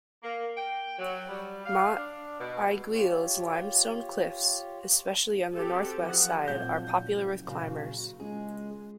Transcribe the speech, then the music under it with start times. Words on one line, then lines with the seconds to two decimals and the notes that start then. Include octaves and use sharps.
Mont Aiguille's limestone cliffs, especially on the northwest side, are popular with climbers.
0.23 A#3
0.56 G5
0.99 F#3
1.29 G3
1.65 F5
1.96 D4
2.39 B2
2.90 F4 G4 C#5
5.54 C4 F#4 G4 A4
6.03 F3 F#5
6.48 F2 A#2 F3 F#3 G6
6.87 F#1
7.47 A#2 C#3 F#4
8.20 C#2 G#3 G#4